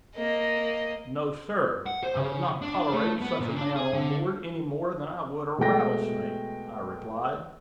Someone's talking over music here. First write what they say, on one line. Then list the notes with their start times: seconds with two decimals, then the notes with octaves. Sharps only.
"No, sir; I would not tolerate such a man on board any more than I would a rattlesnake," I replied.
0.16 A#3 D#5
1.86 F#5
2.03 C5
2.16 C#3
2.62 D4
2.75 D4
2.93 A3
3.21 B3
3.40 A#2
3.56 D4
3.76 G#4
3.93 D3
5.58 B2 G#3 A3 G5 A#6